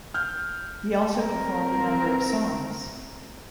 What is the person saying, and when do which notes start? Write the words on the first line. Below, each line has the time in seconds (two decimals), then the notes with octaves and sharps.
He also performed a number of songs.
0.14 F6 G6
1.17 C4 A#4